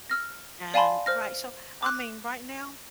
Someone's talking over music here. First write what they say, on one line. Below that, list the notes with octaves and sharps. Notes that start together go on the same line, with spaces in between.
And right, so, I mean, right now,
E6 F6 A#6
D5 F5 G#5 A5 B5 C6
C5 F6 A#6
D6 F#6